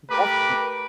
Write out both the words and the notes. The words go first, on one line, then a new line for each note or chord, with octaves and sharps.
That's good.
A3 G4 A#4 B4 B5 D6